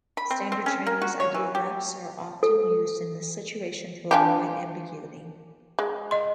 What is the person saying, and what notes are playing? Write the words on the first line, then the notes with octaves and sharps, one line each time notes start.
Standard Chinese ideographs are often used in this situation to avoid ambiguity.
B5
C4
C4
C#4
A#3
F#4
C#5
E3
G4
A4
D4 F4 G4 G#5 A5
G#3
D#5 C6